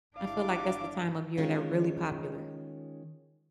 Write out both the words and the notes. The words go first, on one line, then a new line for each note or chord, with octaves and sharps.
I feel like that's the time of year they're really popular.
G1 D4 E4 F5 D6
D#3 G#3 C#4 F4